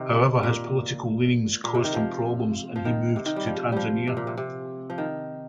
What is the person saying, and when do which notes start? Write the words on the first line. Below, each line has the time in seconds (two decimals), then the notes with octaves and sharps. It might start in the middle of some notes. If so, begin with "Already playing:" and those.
However, his political leanings caused him problems and he moved to Tanzania.
Already playing: C3 D#3
0.43 A#2
1.64 A#2
1.74 C3
1.84 D#3
1.94 F3
2.76 F3
2.85 D#3
3.16 C3
3.26 D#3
3.36 G3
3.46 F3
3.72 F3 G3
4.07 C3
4.17 A#2
4.27 C3
4.38 C3
4.90 F3
4.98 D#3